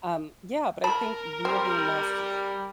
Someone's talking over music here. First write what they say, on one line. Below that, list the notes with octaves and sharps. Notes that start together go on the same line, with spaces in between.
um, yeah, but I think, weirdly enough, m
A#4 A5 B5
G3 C4